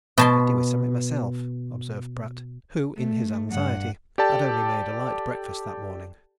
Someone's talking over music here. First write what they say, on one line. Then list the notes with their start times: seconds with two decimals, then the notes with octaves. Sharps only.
"I could do with something myself," observed Pratt, who, in his anxiety, had only made a light breakfast that morning.
0.18 B2 A5 C6
2.96 A3
3.49 G2 F#5
4.18 G4 A4 D5 G5 A5